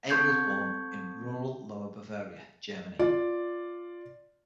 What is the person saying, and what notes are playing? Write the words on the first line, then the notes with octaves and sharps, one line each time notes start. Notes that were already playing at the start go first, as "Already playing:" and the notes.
Abel was born in rural Lower Bavaria, Germany.
C4 A4 C6 C#6 G6 G#6
F4 D5